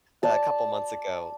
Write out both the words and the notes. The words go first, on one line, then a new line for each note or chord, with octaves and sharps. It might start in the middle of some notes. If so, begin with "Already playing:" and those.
A couple months ago
D5 A5